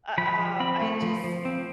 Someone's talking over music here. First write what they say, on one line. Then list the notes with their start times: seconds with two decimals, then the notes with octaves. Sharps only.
Uh, uh, I just
0.18 F3 B5
0.39 F3
0.60 C4 B5
0.82 A3
1.02 F3
1.24 F3
1.45 C4